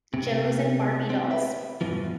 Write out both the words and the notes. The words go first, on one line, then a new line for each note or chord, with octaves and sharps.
Joes and Barbie dolls.
C3
C4
B4 E5
E2 G2 B2 E3 F3